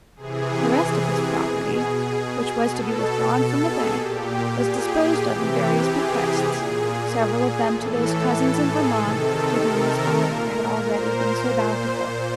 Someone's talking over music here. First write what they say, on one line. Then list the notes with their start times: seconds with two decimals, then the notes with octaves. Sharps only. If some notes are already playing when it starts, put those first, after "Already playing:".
The rest of his property, which was to be withdrawn from the bank, was disposed of in various bequests, several of them to those cousins in Vermont to whom his father had already been so bountiful.
0.16 C3 E3 G#4
1.42 B2
2.67 B2 A4
3.31 A4
3.62 G#4
3.93 A#2 G4
4.56 G#4
4.88 G4
5.19 C3 E3 G4
5.51 G4
5.82 G#4
6.45 A#2
7.70 A2 E3 A4
8.34 A4
8.65 G#4
8.96 C3 D#3 A4
9.28 A4
9.59 A#4
10.22 A#2
10.85 C5
11.48 A#2 C5